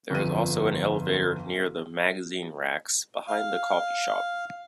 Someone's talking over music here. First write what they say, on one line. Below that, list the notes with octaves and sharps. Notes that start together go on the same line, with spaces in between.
There is also an elevator near the magazine racks, behind the coffee shop.
G1 F2 D#7
F5